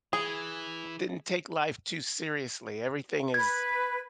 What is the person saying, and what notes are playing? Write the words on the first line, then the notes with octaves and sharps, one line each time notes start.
didn't take life too seriously. Everything is
E3 G#4
B4 G#6